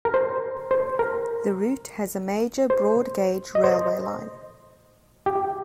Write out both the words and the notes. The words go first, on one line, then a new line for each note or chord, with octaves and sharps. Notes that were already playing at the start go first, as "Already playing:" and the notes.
The route has a major broad gauge railway line.
A#4
C5
C5
A#4
C5
D#5
C5
D#5
G4